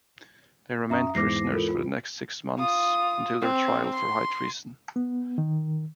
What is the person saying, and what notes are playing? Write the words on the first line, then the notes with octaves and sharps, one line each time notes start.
They remained prisoners for the next six months, until their trial for high treason.
F#2 E5 A#5 C#6 D#6
E2 G#2 E3 D6 A#6 C7
F4 A4 A#4
F4
F4 D#6
C4
C6
B3
D#3